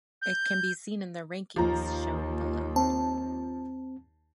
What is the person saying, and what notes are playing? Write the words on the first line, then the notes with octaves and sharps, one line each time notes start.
It can be seen in the rankings shown below.
G6
D#2 F3 A#5
C4 A5